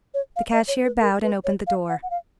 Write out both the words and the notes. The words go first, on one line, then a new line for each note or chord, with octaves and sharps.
The cashier bowed and opened the door.
C#5
F5
D#5
C#5
B4
A#4
B4
C#5
F5
F#5
F#5
F5